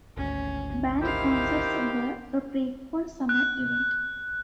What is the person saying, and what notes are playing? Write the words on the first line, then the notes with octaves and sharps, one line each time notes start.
Band concerts were a frequent summer event.
G#1 D2 C#4
D#3 E4 G4 C5 F5
F#6